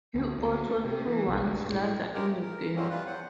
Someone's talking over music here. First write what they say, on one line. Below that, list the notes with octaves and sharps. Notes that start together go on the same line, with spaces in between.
He also threw one slider in the game.
D2
D2
A3
C3
E3
B1
D2
G2
A2
C#3 G#3 G4 A#4
A3
A#4
G2 F#3 G#3 A#3 C4 C#4
C#3 E3 G3 F4 B4
E2 C5 F#5